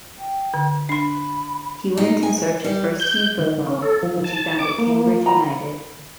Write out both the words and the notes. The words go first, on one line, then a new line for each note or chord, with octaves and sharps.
He went in search of first-team football, which he found at Cambridge United.
G5
D3
D4 B5 C6
D#4
G#5
G3
G6
D#3
C#4
A4
F3
A5
D6
A#3
A#5 B5